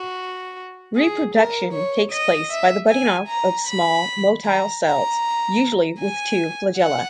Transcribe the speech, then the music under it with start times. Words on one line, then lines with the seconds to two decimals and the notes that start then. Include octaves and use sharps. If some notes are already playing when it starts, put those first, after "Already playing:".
Reproduction takes place by the budding-off of small motile cells, usually with two flagella.
Already playing: F#4
0.96 G#4
1.34 A#4
1.72 C#5
2.11 D#5
2.51 E5
2.89 G#5
3.28 A#5
3.67 B5
4.44 A#5
4.83 A#5
6.00 G#5
6.77 F#5